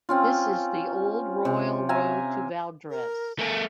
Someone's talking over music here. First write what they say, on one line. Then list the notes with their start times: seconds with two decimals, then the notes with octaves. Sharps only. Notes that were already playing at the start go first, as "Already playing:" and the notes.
This is the old royal road to Valdres.
0.09 C4 C#4 F4
1.45 C3
1.89 E5 F5 G#5 A#5
2.90 A#4
3.39 A3 A#4 G#5